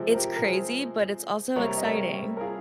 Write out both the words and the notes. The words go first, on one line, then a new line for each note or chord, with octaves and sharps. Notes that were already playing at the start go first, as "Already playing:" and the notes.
it's crazy, but it's also exciting.
Already playing: C3 F3 G#3
C5
G4 A#4
A#4
G#4 C5
C3 G3 A#3 A#4 C#5
D#5
A#4 C#5
A#4
F4 G#4